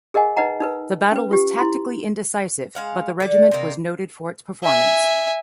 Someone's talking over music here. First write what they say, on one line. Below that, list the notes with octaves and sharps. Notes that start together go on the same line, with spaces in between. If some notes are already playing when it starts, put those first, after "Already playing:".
The battle was tactically indecisive, but the regiment was noted for its performance.
G#4 A#4 D#5 F#5 G#5
D#4 B4 D#5 F#5 A#5
D#4 A#4 B4
C#4 B4
F4 G4
E4 C6
G#3 F5 F#5
D3 D5
C3 D#3 A#3
E5 G#5